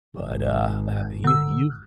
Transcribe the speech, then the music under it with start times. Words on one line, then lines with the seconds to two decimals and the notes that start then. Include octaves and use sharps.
but, uh, uh, you you
0.20 G#1
1.24 D3 E6